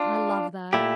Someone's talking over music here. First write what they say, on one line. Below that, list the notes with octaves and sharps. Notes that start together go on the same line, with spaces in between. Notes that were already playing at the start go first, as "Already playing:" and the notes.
I love that.
Already playing: D4 F4
A#2 A3 E4 G4